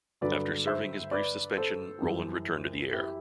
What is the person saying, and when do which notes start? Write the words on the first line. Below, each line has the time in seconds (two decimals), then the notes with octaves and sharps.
After serving his brief suspension, Roland returned to the air.
0.21 G2 D3 F#3 B4 D5
0.67 C5 E5
1.11 B4 D5
1.57 A4 C5
2.02 F#2 E3 G3
2.92 E4 G4